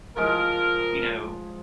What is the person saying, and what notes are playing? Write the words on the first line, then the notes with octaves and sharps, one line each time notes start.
you know
F3 G#3 A#4